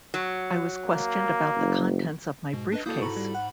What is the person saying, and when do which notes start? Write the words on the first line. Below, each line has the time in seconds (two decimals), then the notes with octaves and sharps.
I was questioned about the contents of my briefcase.
0.14 F#3
0.86 A#3
1.57 F#1
2.53 G#2 B2
2.72 D4 B4 D#5
2.86 A#3 E4 F#4 A4 D#6 G6
3.01 G#2 A#5 B5 C#6
3.16 G3
3.34 F#5